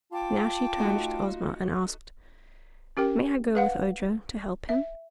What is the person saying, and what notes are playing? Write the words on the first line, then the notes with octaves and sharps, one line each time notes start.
Now she turned to Ozma and asked: "May I go with Ojo, to help him?"
F4 G5 A5 D6
A3 D#4 F#4
C#4 G4 A#4 G5
B4 F5 F#5
E5